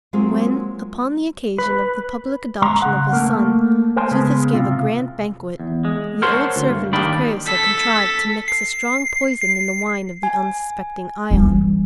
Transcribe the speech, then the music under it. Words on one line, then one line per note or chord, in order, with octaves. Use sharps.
When, upon the occasion of the public adoption of his son, Xuthus gave a grand banquet, the old servant of Creusa contrived to mix a strong poison in the wine of the unsuspecting Ion.
F#3 G#3 A#3 C4 F4 G#4
B4
G#3 A#5 C6
C#3 F#5
A3 A#3
A#4 C5 G#5 A5 C6
C#3 G#3 B3 G#4 B4
C3 F4
E2
G#3
A#4 C5 C#5 F#5 A5 C6
D2
G2
D#2 D#3 A#3 D4 G5 B5
A4 B6
C7
C7
G#5
E3 G3